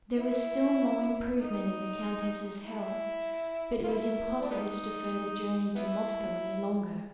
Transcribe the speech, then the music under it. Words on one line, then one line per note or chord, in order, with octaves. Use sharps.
There was still no improvement in the countess' health, but it was impossible to defer the journey to Moscow any longer.
E4
D#4
E4
F4
E4
D4
G3 B3 D#4
B3 E4